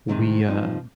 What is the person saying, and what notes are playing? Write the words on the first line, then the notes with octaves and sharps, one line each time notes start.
we, um
C3 D#3 G#3 C4 D#4
G2 F3 C4 D#4